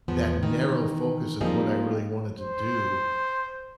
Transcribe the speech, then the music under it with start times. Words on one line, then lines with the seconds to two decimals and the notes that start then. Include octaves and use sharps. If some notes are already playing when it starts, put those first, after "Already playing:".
that narrow focus of what I really wanted to do
0.08 E2 F3 B3
0.43 D#3 E3
1.41 F3 G3 A#3 C4 D#4 G#4
2.38 C5